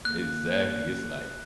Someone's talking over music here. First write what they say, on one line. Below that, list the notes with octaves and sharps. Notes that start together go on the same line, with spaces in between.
Exactly, it's like,
A#3 F#6